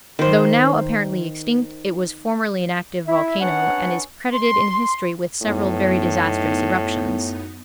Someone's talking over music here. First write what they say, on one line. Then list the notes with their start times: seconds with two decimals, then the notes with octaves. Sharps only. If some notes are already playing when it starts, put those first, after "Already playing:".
Though now apparently extinct, it was formerly an active volcano, and is credited in history with several very disastrous eruptions.
0.19 D#3 C5
3.07 E4 E5
3.41 B3 C#4 D4 F#5
4.34 C6
5.42 F#2 A2 B3 D#4